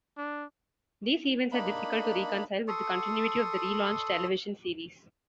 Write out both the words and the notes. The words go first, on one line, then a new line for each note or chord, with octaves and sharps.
These events are difficult to reconcile with the continuity of the re-launched television series.
D4
A#3 D4 D#4 B5
A4 C6 C#6 D#6